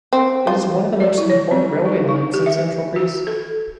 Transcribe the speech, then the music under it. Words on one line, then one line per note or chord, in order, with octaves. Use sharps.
It is one of the most important railway lines in Central Greece.
C4
F4
D5
E4
C#5
C4
D#4
D#4
G4
E5
F#4
A4